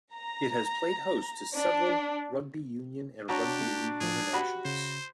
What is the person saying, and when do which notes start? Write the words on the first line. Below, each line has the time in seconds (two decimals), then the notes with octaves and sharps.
It has played host to several rugby union and rugby league internationals.
0.13 A#5
1.57 D4
3.29 D4 F#4 G4 C#5 A5 A#5 C#6
3.61 A3
4.01 A2 F3 G#4
4.33 F#4 G4 F#5 B5
4.65 C#3 C5